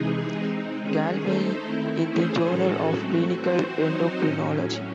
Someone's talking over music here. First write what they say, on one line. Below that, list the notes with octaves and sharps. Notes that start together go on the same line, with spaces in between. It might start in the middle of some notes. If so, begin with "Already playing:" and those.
Gallwey in the "Journal of Clinical Endocrinology".
Already playing: C3 E3 G#3 D#4 G#4
G#3 C4 D#4
D#3 G#3 C#4 G#4
A3 D#4 A4 C5
D#3 A3 C4 E4
E3 A3 C#4 G#4 C5
A2 G#3 C#4 F#4 A4
F#3 A3 C4 F#4
E3 C4 F#4 C5
F#3 C4 D#4 F#4 C5
A2 F#3 C#4